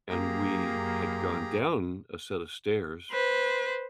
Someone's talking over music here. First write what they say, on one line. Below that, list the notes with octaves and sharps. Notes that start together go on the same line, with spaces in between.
and we had gone down a set of stairs
F#2 A#3 G4 G#4 A#5
B4 C5